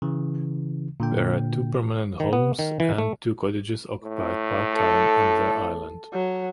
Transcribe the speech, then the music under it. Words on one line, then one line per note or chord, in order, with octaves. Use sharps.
There are two permanent homes and two cottages occupied part-time on the island.
C#3 E3
A#2 D3 G5
D#3
B3
D#3
E3
A3
A2
A4
F#3